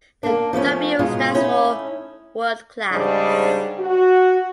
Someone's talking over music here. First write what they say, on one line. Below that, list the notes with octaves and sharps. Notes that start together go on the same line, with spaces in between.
The 'W' stands for 'World Class.
A#3 D4
F3 A3 B3 C#4
G#2 B2 G#3 F4
A3 C#4 D#4 E4
G#2 C#3 G3 D4 C5 D#5
F#4